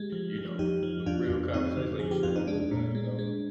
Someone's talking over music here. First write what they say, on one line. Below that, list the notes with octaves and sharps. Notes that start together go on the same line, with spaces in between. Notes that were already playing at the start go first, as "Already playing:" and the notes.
you know, them real conversations like you said, like, look now, you know,
Already playing: G#3 G4
F3
F3
F2 D#4 G4
F3
F2 D4 F4
F2
F2 C4 D#4
D3
F3 G#4
G4
F2 F4
D#4
G#3 D4
A#2
G#3
G#3